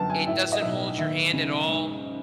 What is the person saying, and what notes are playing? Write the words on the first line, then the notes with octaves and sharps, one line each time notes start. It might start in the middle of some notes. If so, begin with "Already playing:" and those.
It doesn't hold your hand at all.
Already playing: G1 F#2 G5 A5
G#5
A2 E5
D#5
B1 E5
D#2 E5
C#3
G#2